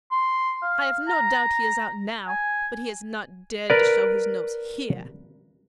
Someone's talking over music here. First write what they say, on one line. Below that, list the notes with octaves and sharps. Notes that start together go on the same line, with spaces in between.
I have no doubt he is out now, but he has not dared to show his nose here.
C6
F5
A#5
G#5
A#4 B4 D5